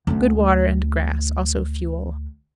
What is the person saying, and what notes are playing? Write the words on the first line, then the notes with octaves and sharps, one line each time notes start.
Good water and grass, also fuel.
D2 C#4